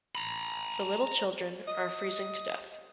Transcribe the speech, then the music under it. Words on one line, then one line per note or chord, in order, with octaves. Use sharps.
The little children are freezing to death.
A#5 B5
D#5